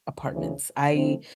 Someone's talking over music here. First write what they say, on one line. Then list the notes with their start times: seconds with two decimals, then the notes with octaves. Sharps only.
apartments. I
0.31 D2 C#3 E3
0.92 C3 F3 A3 C4 E4